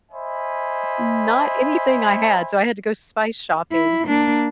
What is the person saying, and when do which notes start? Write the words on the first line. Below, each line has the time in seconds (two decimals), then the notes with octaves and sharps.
not anything I had, so I had to go spice shopping,
0.12 C5 D#5 E5 G#5 B5
3.72 E4
4.08 A#3 D4